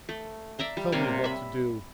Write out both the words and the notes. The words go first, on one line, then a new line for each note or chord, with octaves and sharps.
Tell me what to do!...
A3
D5 E5 A#5 C6
G3
C3 A#3 C#5 D5
E5 B5